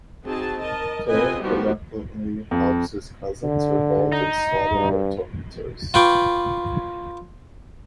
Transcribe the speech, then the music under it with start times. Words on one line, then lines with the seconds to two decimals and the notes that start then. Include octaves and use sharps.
Kane reluctantly helps his cousins revolt and slaughter their tormentors.
0.23 C4 D#4 F#4 G#4 A5
0.60 A#4 D#5 A5
1.08 C4 F4 A4 B4 D#5 G#5
1.41 D#3 F3 G3 B3 F#4 G4
2.51 F2
3.43 D3
4.12 D#4
4.75 G2
5.94 F4 B4 G5 B5 C#6 D6